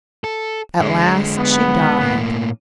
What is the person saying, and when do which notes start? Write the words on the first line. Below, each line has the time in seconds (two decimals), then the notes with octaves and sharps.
At last she died.
0.24 A4
0.80 D3 G#3
1.38 B3
2.01 A2 A#3